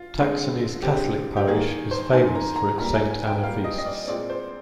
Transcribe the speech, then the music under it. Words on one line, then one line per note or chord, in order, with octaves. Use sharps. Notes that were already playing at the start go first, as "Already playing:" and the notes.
Taksony's Catholic parish is famous for its Saint Anna feasts.
Already playing: F4
D3 G#3 C4
D3 G#3 C4 G4
G4
D#3 A#3 G#4
C5
D#3 A#3 G#5
A#5
A#5
A#2 G3 A#3 A#5
G#5
G#5
G5
A#2 G3 A#3 F5
D#5
D#5
D5
A#2 G#3 C4 D5
C5